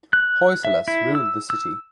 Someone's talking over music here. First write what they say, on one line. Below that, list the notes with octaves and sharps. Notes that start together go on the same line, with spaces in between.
Hoysalas ruled the city.
F#6
E5
E4
E6
E6